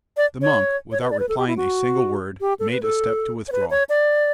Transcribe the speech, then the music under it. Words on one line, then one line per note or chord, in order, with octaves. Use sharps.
The monk, without replying a single word, made a step to withdraw.
D5
C#5
C#5
B4
D5
B4
A4
G4
E4
F#4
G4
A4
B4
A4
C#5
B4
C#5
D5